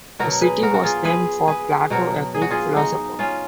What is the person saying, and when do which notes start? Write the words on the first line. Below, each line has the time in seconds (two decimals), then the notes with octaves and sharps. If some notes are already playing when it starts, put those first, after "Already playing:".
The city was named for Plato, a Greek philosopher.
0.19 B2 F#3 F#4 A#4
0.41 G#4 B4
0.63 F#4 A#4
0.74 F#4
0.83 F4 G#4
1.05 G#4 B4
1.48 G#4 B4
1.90 B2 F#3 F#4 A#4
2.34 G#4
2.42 F#4
2.51 F4 G#4
2.76 D#4 F#4
3.19 C#4 F4